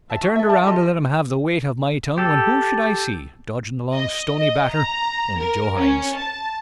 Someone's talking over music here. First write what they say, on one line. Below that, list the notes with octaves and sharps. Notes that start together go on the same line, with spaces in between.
I turned around to let him have the weight of my tongue when who should I see dodging along Stony Batter only Joe Hynes.
E5 A5
E4 F#4
A4 E5
D4 E4 D5 A5
F4 G4 A4 D#5
G4 A4
D#5
D#5
A#5
A#4
C#4
A5